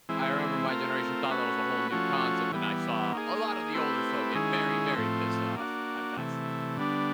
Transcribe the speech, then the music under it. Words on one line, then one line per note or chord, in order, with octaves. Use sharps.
I remember my generation thought that was a whole new concept, and I saw a lot of the older folk get very, very pissed off at that statement
E3 G#3 C4 E4
A3 C4 F4 A#4
A3 C#4 F#4 B4
F3 A3 C#4 F#4
E3 G3 B3
A#3 D#4 G#4
A3 C4 E4 G4 B4
D#3 G#3 C#4 E4 G#4
A2 F3 A3 C4
A#3 D4 F#4
C3 E3 A3
D3 G3 B3 D4